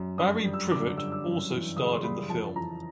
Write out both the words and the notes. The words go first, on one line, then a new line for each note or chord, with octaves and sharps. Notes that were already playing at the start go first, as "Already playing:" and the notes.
Barry Privett also starred in the film.
Already playing: F#2
G2 D#6
G3
E6
D3 D6
G2 E6
E6
F#2
E3
C#3 D#6
C6
G3 B5
F2 A5
E3 A#5